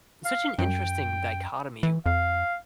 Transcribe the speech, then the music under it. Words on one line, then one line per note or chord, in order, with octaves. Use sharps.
such an interesting dichotomy,
F5
F#2 G5
E3
F2 F5